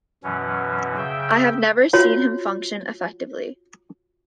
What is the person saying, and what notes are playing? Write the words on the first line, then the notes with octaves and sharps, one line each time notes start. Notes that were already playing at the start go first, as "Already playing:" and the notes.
I have never seen him function effectively.
F#2 B2 E3 F#3 C#4
C#3 E5 G5
F4 F#4 C#5